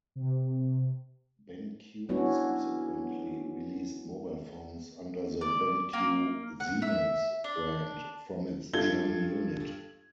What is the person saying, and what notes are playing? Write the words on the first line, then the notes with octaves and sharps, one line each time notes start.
BenQ subsequently released mobile phones under the BenQ-Siemens brand, from its German unit.
C3
F#3 B3 C#4 D4 E4 F#4
D5
A#3
F#5
E5
D4
G2 F4 A4 G#6 G7